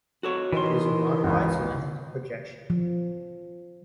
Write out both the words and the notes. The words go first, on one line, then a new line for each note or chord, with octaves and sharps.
It is a modified cylindrical projection.
F#4 A4 C#5
D#2 B2 D#3 E3 C6
G#1 C#2
F3